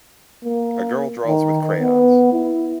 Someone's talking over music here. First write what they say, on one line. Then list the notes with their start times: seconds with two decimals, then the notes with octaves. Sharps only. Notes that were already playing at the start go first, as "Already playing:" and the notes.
A girl draws with crayons.
0.44 A#3
1.27 D#3
1.80 B3
2.33 E4